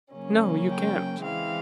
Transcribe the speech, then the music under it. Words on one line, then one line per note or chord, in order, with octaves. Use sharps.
"No, you can't."
C#3 F#3 A#3 C#4
G5
E3 G#3 C4 F5